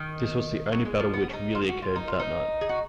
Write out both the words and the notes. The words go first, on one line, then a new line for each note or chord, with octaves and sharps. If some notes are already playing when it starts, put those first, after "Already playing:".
This was the only battle which really occurred that night.
Already playing: D#3
F#3
G#3
F3
B3
C#4
D#4
F4
G#4
F#4
F4
D#4
F4
D#4
G#4
F#4